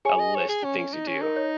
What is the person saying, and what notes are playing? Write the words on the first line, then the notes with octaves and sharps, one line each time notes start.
a list of things to do,
G#4 C#5 G#5
D#5
C#5
G#4
C#4
C#4
D#4
C#4
D#4 A#4
C#5